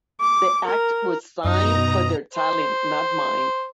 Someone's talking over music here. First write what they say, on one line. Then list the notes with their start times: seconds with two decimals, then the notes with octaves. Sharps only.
The act was signed for their talent not mine.
0.21 D6
0.67 A#4
1.45 F#2 B2 D#4 D#5 A#5
2.33 C5